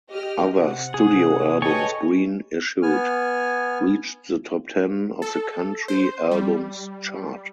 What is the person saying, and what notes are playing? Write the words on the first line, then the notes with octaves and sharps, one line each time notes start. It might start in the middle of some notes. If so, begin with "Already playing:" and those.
Other studio albums Greene issued reached the top ten of the country albums chart.
G4 D#5 F6
C3 F#5
G#4
A4 B4 C#5 D#5 G5 G#5
B3 G#5 F6
A4
C5
G3